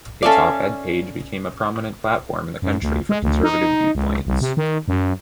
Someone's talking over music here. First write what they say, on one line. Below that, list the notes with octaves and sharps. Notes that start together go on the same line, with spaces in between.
Its op-ed page became a prominent platform in the country for conservative viewpoints.
C#4 A4 D5 E5 F5
F#2
D2
G#3
D2
D#4
C#2
C2
C3
D#3
F#2